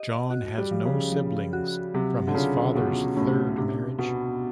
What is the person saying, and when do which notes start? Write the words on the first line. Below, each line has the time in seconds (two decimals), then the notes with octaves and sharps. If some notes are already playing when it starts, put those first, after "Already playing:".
John has no siblings from his father's third marriage.
Already playing: G4 D#5
0.30 F#4
0.58 G3
0.71 F3
0.85 C#3
1.12 F3
1.53 F#4
1.94 C3 F#3
2.28 D3
2.35 C#3 F4
2.75 B2 C#4
3.17 A2 C#4
3.57 C3 D4
3.98 B2 B3